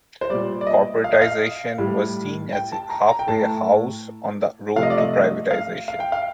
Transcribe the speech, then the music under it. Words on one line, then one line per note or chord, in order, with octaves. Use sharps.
Corporatization was seen as a half-way house on the road to privatization.
C5
A#2 G3 D5
D5
D#5
F5
D#5
F5
A2 G3
G5
A5
A#5
A#5
G5
A2 A3 A5
C3 F3 A3 F5
D#5
D5
D#5
D#5
F5
F5
G5
F5